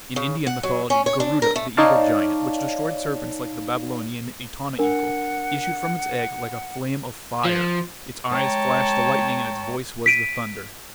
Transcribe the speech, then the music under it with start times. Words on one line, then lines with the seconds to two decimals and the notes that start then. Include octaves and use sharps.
In Indian mythology Garuda, the eagle giant, which destroyed serpents like the Babylonian Etana eagle, issued from its egg like a flame of fire; its eyes flashed the lightning and its voice was the thunder.
0.16 C#3
0.47 F#5
0.63 F#3
0.90 C#4
1.06 C#5
1.20 D4
1.42 A#4
1.56 A3
1.77 D#4 C#5 D5 F5 A5
4.79 D4 A#4 F#5
7.45 F3
8.30 G#3 C#5 G5 A5 A#5
10.06 B6 D7 D#7